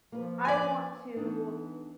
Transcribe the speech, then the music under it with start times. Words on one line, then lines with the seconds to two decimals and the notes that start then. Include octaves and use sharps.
I want to
0.12 F3 A#3 B4
0.45 D5 G#5
1.16 E3 B3 D4 D#4